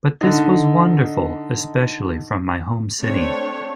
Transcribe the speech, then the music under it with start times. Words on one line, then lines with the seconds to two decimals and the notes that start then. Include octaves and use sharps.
But this was wonderful, especially from my home city.
0.21 D3 D#4
3.01 A3 C4 D4 C#5